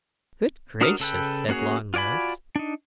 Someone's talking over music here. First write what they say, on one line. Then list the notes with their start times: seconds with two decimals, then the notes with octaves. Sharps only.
'Good gracious!' said Long Nose.
0.81 D4 F#4 A#4 D#6 F6
1.00 C#3 A4 B4 G5
1.49 A#3 C#4 F#4 G#4 C#5
1.94 F4 F#4 D5 G#5 B5
2.56 D4 D#4